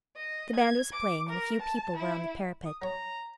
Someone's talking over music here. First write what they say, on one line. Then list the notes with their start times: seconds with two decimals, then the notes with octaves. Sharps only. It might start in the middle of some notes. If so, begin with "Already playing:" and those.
The band was playing, and a few people were on the parapet.
0.16 D#5
0.55 G#6
0.91 D6
1.29 A#4
1.61 A5
1.95 E4
2.66 D#6
2.82 F#3 C#5 A#5